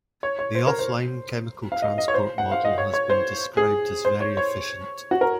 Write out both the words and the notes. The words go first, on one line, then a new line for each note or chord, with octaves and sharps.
The offline chemical transport model has been described as "very efficient".
C#5
C#5
C5
A#4
C5
F5
D#5
D#5
C#5
C5
F#5
F5
D#5
C#5
C#5
C5
G#4
C5
C#5
C#5
F#4
A#4